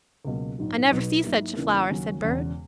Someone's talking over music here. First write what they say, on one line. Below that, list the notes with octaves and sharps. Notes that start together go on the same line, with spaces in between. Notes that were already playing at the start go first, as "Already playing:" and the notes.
"I never see such a flower," said Bert.
C#2 B2 F#3 A#3
A#1 G#2 F#3
B1 B2 F#3 B3 D#4
G#2 F#3 A#3 E4 A#4
E2 C#3 E3 A#3 D#4
D#2 C#3 F#3 C#4 F#4
E1 E2 C#3